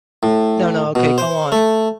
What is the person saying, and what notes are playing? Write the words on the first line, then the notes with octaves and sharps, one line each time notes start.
No, no, okay, go on.
A2
B2
C5
A3